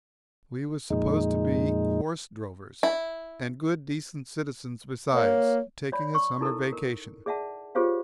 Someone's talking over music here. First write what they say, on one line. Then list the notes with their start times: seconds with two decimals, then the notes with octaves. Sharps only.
We was supposed to be horse drovers, and good decent citizens besides, taking a summer vacation.
0.90 F2 A#2 G#3 D#4
2.83 E4
5.14 A#3 C#5
5.92 C#5 D5 B5
6.15 C#6
6.41 D#4 E4 A4 A#4
6.73 A#4
7.26 G#4 D5 E5 F#5 A5
7.75 F4 G4 G#4 C5 C#5 F5